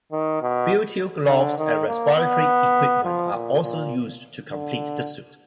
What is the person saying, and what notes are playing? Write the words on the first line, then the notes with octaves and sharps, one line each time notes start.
Butyl gloves and respiratory equipment are also used to complete the suit.
D#3
B2
D3
D#3
A#3
B3
F3
A#2
A#2
D3